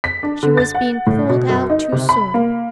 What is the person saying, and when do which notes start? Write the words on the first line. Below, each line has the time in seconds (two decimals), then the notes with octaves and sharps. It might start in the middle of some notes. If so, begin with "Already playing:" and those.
She was being pulled out too soon.
0.04 B6
0.23 D4
0.43 D3
0.57 A6
0.75 F#5
1.07 A2
1.29 B2
1.49 F#2
1.70 D#4
1.92 C3
2.09 B5
2.34 A#3